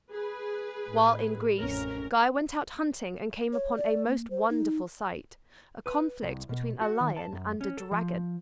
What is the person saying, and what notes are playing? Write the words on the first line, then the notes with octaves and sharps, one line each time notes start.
While in Greece, Guy went out hunting and came upon a most wonderful sight, a conflict between a lion and a dragon.
G#4 B4
A2
A1 F2 C#4 A#4
C#5
D5
A#3
C5
D#4
B4
C2
B2
F#4
D#3
A5
F#2
C#4
A4
F3